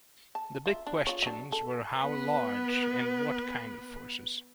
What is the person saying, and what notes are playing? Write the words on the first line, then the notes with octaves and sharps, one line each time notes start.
The big questions were how large and what kind of forces.
A5
F4 E5
D4
F4 C#5
F#3 D4
A4
B3 B4